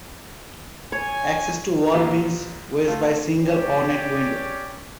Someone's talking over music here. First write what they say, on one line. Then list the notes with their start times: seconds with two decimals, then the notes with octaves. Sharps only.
Access to wall bins was by single ornate window.
0.92 C#5 G#5
1.93 A#1 A#2 E3 F4 G4 F5
2.87 A3 F4
3.42 C#4 G4 C#5 D5